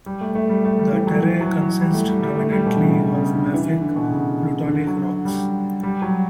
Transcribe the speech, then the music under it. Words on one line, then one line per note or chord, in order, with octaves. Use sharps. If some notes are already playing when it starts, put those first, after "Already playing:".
The terrae consist dominantly of mafic plutonic rocks.
G3
A3
A3
G3
A3
G3
E3
F#3
E3
F#3
F#3
G3
A3
G3
G3
A3
G3
B2
D3
C#3
C#3
C#3
D3
E3
E3
D3
B2
C#3
D3
F#3
G3
G3
F#3